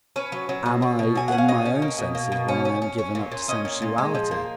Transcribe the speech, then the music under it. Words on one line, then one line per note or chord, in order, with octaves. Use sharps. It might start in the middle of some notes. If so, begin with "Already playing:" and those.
Am I in my own senses when I am given up to sensuality?
C#4 B4
F#3
F#3
B2
B2
B2
F#3 G#5
C#4 F#5
F5
B2 D#5
C#4
A#3
B2
A#3
B2
C#4
C#4
C#4
C#4
A#2
A#2
C#4 D#5
A#2
A#2
G#3
F3
A#3